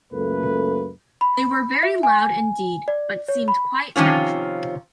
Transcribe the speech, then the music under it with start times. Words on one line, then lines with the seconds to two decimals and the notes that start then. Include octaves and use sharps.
They were very loud indeed, but seemed quite natural.
0.13 C#2 F#2 A3 A#3 A4 B4
1.21 B5
1.83 E5
2.03 G#5
2.88 D5
3.29 C#5
3.48 B5
3.96 C3 D#3 F3 C#4 F4